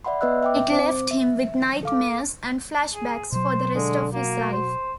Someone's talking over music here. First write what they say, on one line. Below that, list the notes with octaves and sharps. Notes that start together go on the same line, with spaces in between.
It left him with nightmares and flashbacks for the rest of his life.
D5 E5 F#5 B5 C6
B3 B4 D#5 E5 E6 F#6
E5 G5 D6
C4 C5 D6
E5
A4 F5 D6
G#4
B2 F#3 C5
D3 G#3
A#3 F#4
C5